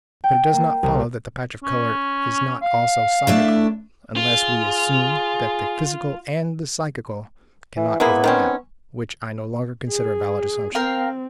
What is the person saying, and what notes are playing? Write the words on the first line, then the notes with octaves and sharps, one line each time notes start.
But it does not follow that the patch of colour is not also psychical, unless we assume that the physical and the psychical cannot overlap, which I no longer consider a valid assumption.
G5
A#3
C2
C#4
F5
A3 D4 E4
F4 G#4
E3
G#3 A#3 B3 E4
D#3 C4 C#4
G#4
C4 A#4 F5 G5